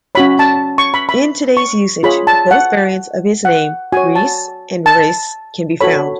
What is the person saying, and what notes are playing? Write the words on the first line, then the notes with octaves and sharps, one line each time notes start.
In today's usage, both variants of his name, "Ries" and "Riese" can be found.
C#4 F#4 C#5 B5
A5
C#6
B5
B5
C#6
F4 G#4 C#5 B5
A5
F#5
F#5
F#4 C#5 G#5
A5
A5
F#4 A4 C#5 B5